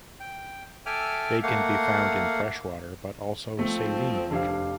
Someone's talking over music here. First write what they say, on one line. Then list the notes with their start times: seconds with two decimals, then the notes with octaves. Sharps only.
They can be found in freshwater but also saline water.
0.20 G5
0.86 A4 E5 G5 G#5 D6 F6
1.43 A3 A#3 F5 F#5
3.59 F3 A3 C4
4.31 F1 D4 G4 F5